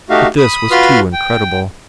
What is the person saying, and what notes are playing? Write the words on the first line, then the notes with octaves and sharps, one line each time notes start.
But this was too incredible.
A3 D#4 F#4 G4 F5
B5 D#6
F4 F#4 B4 B5 C6 F6
G5